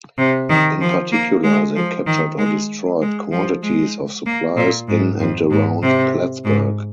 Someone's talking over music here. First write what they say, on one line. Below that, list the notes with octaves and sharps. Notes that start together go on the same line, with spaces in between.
In particular, they captured or destroyed quantities of supplies in and around Plattsburgh.
C3
D#3
F3
A#3
G#3
F3
D#3
G#3
G#3
F3
G#3
A#3
A#2
G#2
F2
G#2
C3
G#2